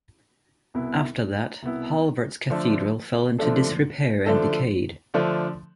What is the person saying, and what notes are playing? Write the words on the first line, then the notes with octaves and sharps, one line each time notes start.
After that, Hallvards Cathedral fell into disrepair and decayed.
C2 B2 B3 E4
C2 B2 B3 E4
D3 F3 A3 D4 A4
D3 F3 A3 D4 A4
D3 F3 A3 D4 A4
D3 F3 A3 D4 A4